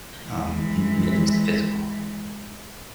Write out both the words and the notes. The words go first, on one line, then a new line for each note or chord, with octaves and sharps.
um, w when it comes to physical
E3 G#3